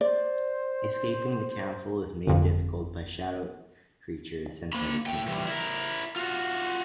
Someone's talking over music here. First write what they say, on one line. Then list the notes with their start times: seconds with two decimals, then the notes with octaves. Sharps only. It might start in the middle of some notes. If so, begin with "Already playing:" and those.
Escaping the castle is made difficult by shadow creatures sent by the Queen.
0.01 C5 D5
2.27 G1 F2
4.73 A#3 B5
5.06 A2 G5
5.27 E3 G3
5.48 E4 A#4
6.16 F4 F#4